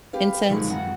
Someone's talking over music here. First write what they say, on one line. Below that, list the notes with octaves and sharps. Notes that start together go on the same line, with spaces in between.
in sense?
G4 B4 F5
B2 D3 D#3 F3 F#3 G#3
F#2 F#4 F#5